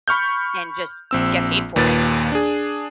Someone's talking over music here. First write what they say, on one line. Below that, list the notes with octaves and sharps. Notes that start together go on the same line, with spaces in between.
And just get paid for it.
B5 C#6 F6 G6
A#1 C4 E6
D#2 A#2 B4 A6
D4 G#4